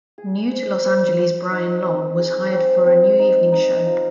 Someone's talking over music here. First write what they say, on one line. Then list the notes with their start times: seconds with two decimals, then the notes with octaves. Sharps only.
New-to-Los Angeles Brian Long was hired for a new evening show.
0.18 G#4
0.51 C5
0.85 C5
1.18 C5
1.51 D#4
1.85 C4
2.19 G#4
2.52 C4
2.86 C4
3.19 D#4
3.52 D#4
3.86 F3